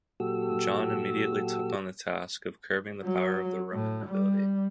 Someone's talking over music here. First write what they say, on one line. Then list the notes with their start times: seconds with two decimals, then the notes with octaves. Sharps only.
John immediately took on the task of curbing the power of the Roman nobility.
0.20 A#2 F#3 F#4 G4 A4 E6
3.04 F#3
3.72 A2
4.06 G3